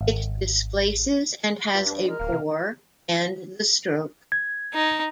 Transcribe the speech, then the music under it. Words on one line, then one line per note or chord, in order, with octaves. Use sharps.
It displaces and has a bore and the stroke.
G#1
G2 F4
D4
G#3 A#4
D1 A#3
C3
G#6
D#4